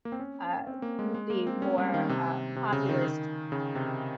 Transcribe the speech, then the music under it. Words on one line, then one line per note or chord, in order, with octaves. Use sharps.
uh, mm, the more, uh, populist, uh,
A#3
C4
C#4
C4
A#3
G#3
G#3
A#3
C4
C#4
G3
D#3
C3
C3
C#3
D#3
C#3
C3